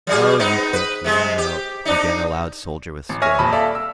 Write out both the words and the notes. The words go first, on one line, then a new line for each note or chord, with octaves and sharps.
"Oh, you think you know--" began the loud soldier with scorn.
F#3 G3 G#4
B3 C4 D#4
B4
C3 G#3 C4
G4
C4 D4 D#4
A1
C#5 E5 G#5 C#6 F6 A#6
D#1 A5 B5
A4 D5 E5 F5
E6